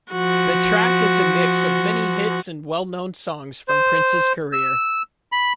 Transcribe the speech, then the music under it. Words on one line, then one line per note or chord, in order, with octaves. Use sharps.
The track is a mix of many hits and well-known songs from Prince's career.
F3 F#4
C5
E6
B5